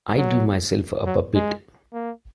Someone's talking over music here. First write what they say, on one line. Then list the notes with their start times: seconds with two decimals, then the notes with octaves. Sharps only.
I drew myself up a bit.
0.17 F#3
1.06 F#3
1.35 G#3
1.93 A#3